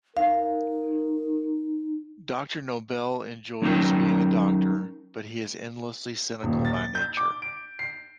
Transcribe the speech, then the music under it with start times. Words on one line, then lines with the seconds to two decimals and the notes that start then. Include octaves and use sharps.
Doctor Noble enjoys being a doctor, but he is endlessly cynical by nature.
0.17 D#4 A#4 F5
3.62 F#3 C#4 D#4 G#4 A#4 G5
6.43 D#1
6.65 A6
6.95 G6
7.17 D6
7.42 D7
7.79 C7